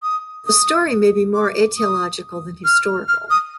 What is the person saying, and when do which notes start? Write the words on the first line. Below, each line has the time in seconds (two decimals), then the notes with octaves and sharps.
The story may be more aetiological than historical.
0.03 D#6
0.47 D#6
1.34 D6
1.78 D#6
2.65 F6
3.08 F6
3.30 D#6